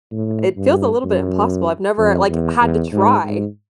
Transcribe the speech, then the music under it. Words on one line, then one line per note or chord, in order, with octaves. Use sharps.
it feels a little bit impossible. I've never, like, had to try.
A2
G2
F#2
F2
E2
E2
G#2
G#2